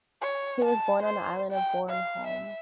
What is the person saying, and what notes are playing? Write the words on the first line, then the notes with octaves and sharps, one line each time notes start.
He was born on the island of Bornholm.
C#5
A5
C5
G5
F5
E5